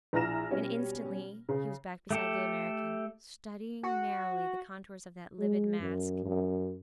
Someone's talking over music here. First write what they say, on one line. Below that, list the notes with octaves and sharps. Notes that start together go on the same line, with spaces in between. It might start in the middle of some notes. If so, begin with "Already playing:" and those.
And instantly he was back beside the American, studying narrowly the contours of that livid mask.
A#1 E4 A#5 F6 A#6 E7
B2 G3 C#4
C#3
A3 G4 A4
F#4
G#3
F#2
F#2